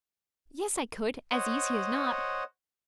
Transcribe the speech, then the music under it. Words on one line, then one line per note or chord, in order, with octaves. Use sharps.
"Yes, I could, as easy as not."
C5 C#5 D#5 F#5